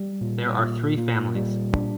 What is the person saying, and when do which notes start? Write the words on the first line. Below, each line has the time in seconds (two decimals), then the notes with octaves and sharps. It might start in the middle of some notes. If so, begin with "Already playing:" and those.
There are three families.
Already playing: G3
0.21 A#2
0.59 A#2
0.97 A#2
1.35 G3
1.73 D4